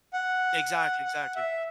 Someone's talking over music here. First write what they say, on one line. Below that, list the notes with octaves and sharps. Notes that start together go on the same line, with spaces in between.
Exactly. Exactly.
F#5
F#5
E5